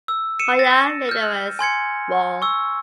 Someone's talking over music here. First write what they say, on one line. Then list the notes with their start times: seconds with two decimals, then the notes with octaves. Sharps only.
"Hoya linearis" Wall.
0.08 E6
0.39 C#7 D#7 E7
0.59 A6 A#6
1.09 F6 G6
1.59 G#5 C6 G#6 C#7
2.42 C#6 E6